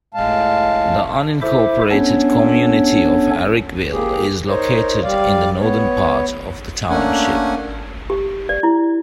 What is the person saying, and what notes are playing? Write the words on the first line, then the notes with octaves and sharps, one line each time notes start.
The unincorporated community of Herrickville is located in the northern part of the township.
A2 G#3 F5 A5
E4 A4 C5 E5 D6
B3 C#4 D4 A4 C#5
A#3 G4 G#4
D#4 A#4 C5 C#5
G3 D5 F5
B3 C#5
A3 A#3 C#4 D4 F#5 G#5
G4
D5
E4